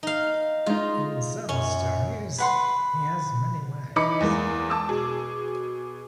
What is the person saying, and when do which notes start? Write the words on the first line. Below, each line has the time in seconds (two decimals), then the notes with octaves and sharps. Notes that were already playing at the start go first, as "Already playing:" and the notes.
In some stories, he has many wives.
0.03 D#4 F5
0.66 G#3 D#4 F4
1.49 F#2 C#4
2.38 B4 F#5 C6
3.96 E3 D#4 B5 D6 C#7
4.20 E2 G#3 A#3
4.70 A5 D6 E6
4.89 B2 G#4